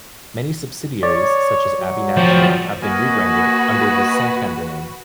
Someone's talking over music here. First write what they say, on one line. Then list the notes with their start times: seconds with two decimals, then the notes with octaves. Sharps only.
Many subsidiaries, such as Abbey National, have been rebranded under the Santander name.
1.03 C#5 D5
1.80 F#3
2.17 F3 F#4 G5
2.82 A#3 F#4 B4 D#5 G#5